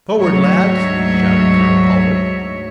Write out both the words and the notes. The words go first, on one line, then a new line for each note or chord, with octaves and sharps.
"Forward, lads!" shouted Colonel Talbot.
D2 G#2 F#3 C#5 E5